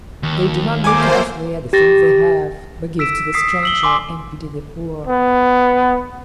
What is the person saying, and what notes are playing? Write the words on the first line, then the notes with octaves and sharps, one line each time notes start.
They do not look carefully at the things they have, but give to the stranger and pity the poor.
D#2
A3 A#3 C5 G#5 D6
G4 A6 A#6
E6 B6 D7 E7
D#6 B6 C7
E6 F#7 G7
G#5 C6 D6
B3